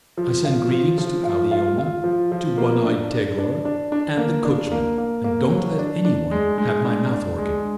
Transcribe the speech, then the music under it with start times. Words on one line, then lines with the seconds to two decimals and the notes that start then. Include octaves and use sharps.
I send greetings to Aliona, to one-eyed Tegor, and the coachman, and don't let any one have my mouth-organ.
0.17 F3
0.45 F4
0.71 F3
0.98 F3
1.24 F4
1.51 F4
1.78 F4
2.04 F3
2.32 F3
2.58 A#3
2.85 D4
3.12 D4
3.38 D4
3.65 D4
3.92 D4
4.17 A#3
4.45 D4
4.72 A#3
4.98 A#3
5.24 A#3
5.51 F#3
5.79 D4
6.05 D4
6.31 G#3
6.58 G#3
6.85 D4
7.12 D4
7.38 G#3